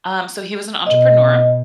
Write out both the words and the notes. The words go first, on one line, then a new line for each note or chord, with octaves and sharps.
Um, so he was an entrepreneur
B2 D#5